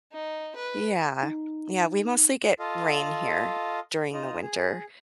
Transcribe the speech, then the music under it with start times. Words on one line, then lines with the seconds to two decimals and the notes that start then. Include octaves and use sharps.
Yeah, yeah, we mostly get rain here during the winter,
0.13 D#4
0.56 B4
1.23 D#4
2.59 F4 A4 D#5 F5
4.13 D#4 F4 D#5
4.42 G#4